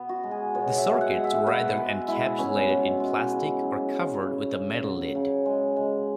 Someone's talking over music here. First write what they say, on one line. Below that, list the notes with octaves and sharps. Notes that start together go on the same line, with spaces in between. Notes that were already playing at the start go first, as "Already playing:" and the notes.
The circuits were either encapsulated in plastic or covered with a metal lid.
Already playing: B2 B3
F#4
G#3
G#4
B2 C#5
E5
B2
F#5
G#3
E5
B2 B4
G#3
G#3 E4
B2 C#4
B2
G#3
C#3
F#3
F#3
C#3
C#3
F#3
C#3
G#3
G#3